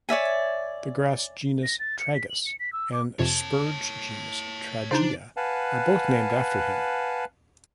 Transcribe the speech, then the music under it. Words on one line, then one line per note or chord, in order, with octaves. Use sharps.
The grass genus "Tragus" and spurge genus "Tragia" are both named after him.
C#5 D5 E5 G#5
A#6
A6
C#7
B6
F#7
C#7
B6
E6
D6
F2 C3 C#5 A5
C#3 D4 D#4 C5 D5 A5
B4 F5 F#5 G#5 A5